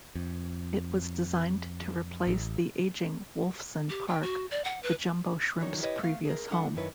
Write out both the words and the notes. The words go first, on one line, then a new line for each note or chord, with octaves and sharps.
It was designed to replace the aging Wolfson Park, the Jumbo Shrimp's previous home.
F2
A1
G4
G5
F#4
D5
F#5
B4
D#3 E3 F#3 D4 D#4 C#5
E4 G4 B4 C#5 D#5
A3 B3 F5
G#4 A#4
G3 D4 E4 A4 E5 F#5
F#2 D#3 E4 B4 C#5